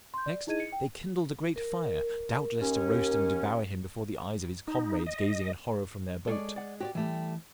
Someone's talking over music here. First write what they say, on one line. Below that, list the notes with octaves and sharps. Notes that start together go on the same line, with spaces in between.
Next they kindled a great fire,--doubtless to roast and devour him before the eyes of his comrades, gazing in horror from their boat.
C6 G6
D5
D#4 E4 G#4 D#5 G#6 D#7
C#7
G5
A#4
D#2 C#4
D#4
D#5
G#3 A4 C#5 D5
D5 F#5
F#4 G4 C#5 D5
E3 G3 A3 G4